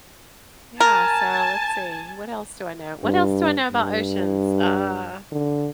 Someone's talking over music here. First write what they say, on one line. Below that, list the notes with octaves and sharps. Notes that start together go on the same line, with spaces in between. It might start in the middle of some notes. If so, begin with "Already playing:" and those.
Yeah. So, let's see, what else do I know? What else do I know about oceans? Uh,
A#4 G#5 A5
G2
G2
D3